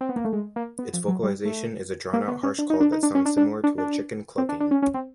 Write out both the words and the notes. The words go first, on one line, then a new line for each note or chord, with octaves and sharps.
Its vocalization is a drawn-out harsh call that sounds similar to a chicken clucking.
C4
B3
A#3
A3
G#3
A#3
B3
F3
F#3
G3
A3
A#3
B3
C#4
D4
D#4
D4
D#4
D4
C#4
D4
D4
D4
D4
C4
D4
D4
C#4
C#4
C4